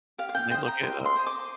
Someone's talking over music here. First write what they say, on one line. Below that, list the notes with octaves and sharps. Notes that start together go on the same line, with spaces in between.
when they look at, uh
G4 F5
F5
G5
C5 D#5 G5
A#5
G4 C6
C6
C5 D#5
D6